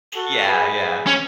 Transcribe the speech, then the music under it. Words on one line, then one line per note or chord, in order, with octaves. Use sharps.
Yeah, yeah.
F#4 A4
G#4 B4
C#4